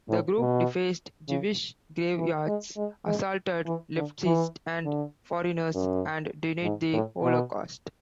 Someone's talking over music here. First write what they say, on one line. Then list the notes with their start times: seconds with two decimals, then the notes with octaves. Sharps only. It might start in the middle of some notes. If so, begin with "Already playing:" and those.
The group defaced Jewish graveyards, assaulted leftists and foreigners, and denied the Holocaust.
0.09 A2
0.39 B2
1.29 C#3
2.17 E3
2.47 G#3
2.77 G#3
3.06 G#3
3.66 E3
3.96 D3
4.26 E3
4.85 D3
5.74 F#2
6.63 G#2
6.93 A2
7.23 B2